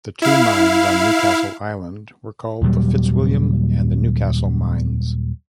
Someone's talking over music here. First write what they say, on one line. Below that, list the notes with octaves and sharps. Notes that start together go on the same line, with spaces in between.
The two mines on Newcastle Island were called the Fitzwilliam and the Newcastle mines.
E4 F5
D#2 A#2 F#3 G3